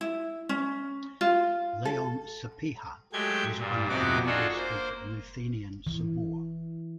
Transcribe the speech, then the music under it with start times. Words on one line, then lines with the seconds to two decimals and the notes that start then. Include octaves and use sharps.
Leon Sapieha was one of the leaders of Ruthenian sobor.
0.01 E4
0.49 C#4
1.21 F4
1.85 A4
3.13 F#3 G#3 A3 G4 G6 G#6
3.59 G2 A#2
3.89 F2 C3 B3 D#4 F#4 D6
4.26 D4 D#4 F4 F#4 G#4 A4
4.56 A#3 C5
5.87 E3